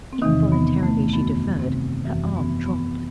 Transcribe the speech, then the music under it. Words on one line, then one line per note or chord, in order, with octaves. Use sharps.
Involuntarily she deferred, her arm dropped.
C4
E2 C3 D#3 E3 D#4
B3
A3
F#2 D#3 B3
C3 C4
F#2 E3
B3
B3